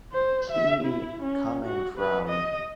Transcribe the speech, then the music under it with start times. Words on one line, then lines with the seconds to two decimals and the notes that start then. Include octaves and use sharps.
he coming from,
0.13 C5
0.51 E5
0.86 E4
1.23 C#4
1.66 F#4
1.98 B4
2.29 D#5